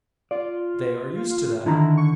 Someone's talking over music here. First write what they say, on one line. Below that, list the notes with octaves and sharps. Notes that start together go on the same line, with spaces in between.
"They are used to that."
F4 D5
D3 D#3 E4 A#5
C#6